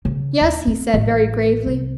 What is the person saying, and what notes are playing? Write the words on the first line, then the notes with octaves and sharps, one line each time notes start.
"Yes," he said, very gravely.
C#3
D#2
C4
A1
C2